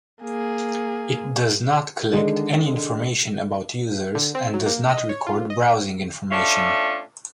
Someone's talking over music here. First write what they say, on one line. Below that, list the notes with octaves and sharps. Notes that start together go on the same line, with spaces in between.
It does not collect any information about users and does not record browsing information.
A#3 G#4
D3 D#3 G#3 D4
D3
C4
F#3
A#3
D#5
C#5
F4
D#5
A3 C#4 D4 F4 E5